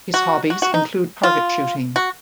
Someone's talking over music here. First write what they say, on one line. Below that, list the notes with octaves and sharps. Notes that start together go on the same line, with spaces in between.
His hobbies include target shooting.
F#4
F#4
F#4
D#4
F4
F#4